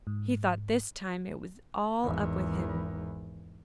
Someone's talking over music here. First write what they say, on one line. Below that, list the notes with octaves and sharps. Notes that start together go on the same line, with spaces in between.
He thought this time it was all up with him.
G#2
G#1 E2